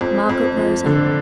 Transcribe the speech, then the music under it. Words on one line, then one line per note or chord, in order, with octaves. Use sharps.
Margaret rose up.
F2
F2
F3
D3